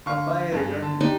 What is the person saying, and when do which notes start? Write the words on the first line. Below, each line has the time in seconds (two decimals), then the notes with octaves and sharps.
A fire erupted.
0.06 D3 F5 C#6
0.52 G2 G#4
0.82 D3 A5
1.01 D4 D#4 G4